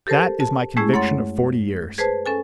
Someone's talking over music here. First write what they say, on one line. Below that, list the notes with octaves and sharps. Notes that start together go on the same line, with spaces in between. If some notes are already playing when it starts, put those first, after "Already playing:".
That is my conviction of forty years.
G4 A4 A#4 C5 A5
A5
G#3 A3 C#4 E4 G#4
F#2 C#5 F#5 C6 A6
G#4 B4 C5 A5
C#4 A4 G#5